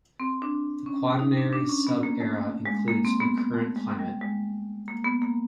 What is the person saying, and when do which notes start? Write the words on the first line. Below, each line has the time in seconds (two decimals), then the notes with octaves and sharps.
The Quaternary sub-era includes the current climate.
0.20 C4
0.42 D4
0.86 C#4
1.19 D#4
1.37 D4
1.53 D4
1.69 C#4
1.87 B3
2.03 A#3
2.20 A3
2.66 G#3
2.88 A#3
3.05 C4
3.20 B3
3.38 B3
3.54 A3
3.76 G#3
3.99 G3
4.21 G#3
4.88 A#3
5.04 B3
5.22 A#3